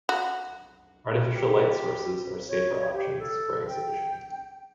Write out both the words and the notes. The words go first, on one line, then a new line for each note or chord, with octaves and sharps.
Artificial light sources are safer options for exhibition.
F#4
G4
C#5
G4
A4
G5